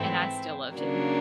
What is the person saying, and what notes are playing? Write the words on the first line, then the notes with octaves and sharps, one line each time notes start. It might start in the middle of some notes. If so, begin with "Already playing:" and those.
and I still loved him,
Already playing: G#2 E3 A3 C4 E4
C#3 F#3 A#3 D4